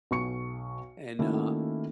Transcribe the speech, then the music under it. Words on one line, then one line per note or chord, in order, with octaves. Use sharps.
and, uh,
B1 B2 C#6 C#7
D#3 A3 A#3 C#4 E4 F#4